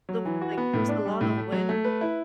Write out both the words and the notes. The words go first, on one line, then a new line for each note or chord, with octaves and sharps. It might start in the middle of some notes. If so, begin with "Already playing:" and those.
so, like, there was a lot of wind.
F#3
E3
F#4
B3
A2
D4
G3
A2
A3
F#3
A3
B4
E4